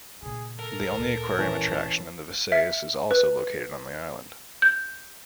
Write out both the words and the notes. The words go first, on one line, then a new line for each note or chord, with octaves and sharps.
The only aquarium attraction in the Visayas is also located on the island.
A#2 C#3 G#4
A4 A#4
D1 A#2
E3 C#4 A5
E5
B4
G6